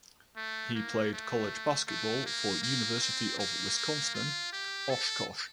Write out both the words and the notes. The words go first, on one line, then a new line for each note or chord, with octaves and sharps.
He played college basketball for University of Wisconsin–Oshkosh.
A3
A#3
A3
A3
A#3
A#3
C4
A#3
A#3
F4
G4
A4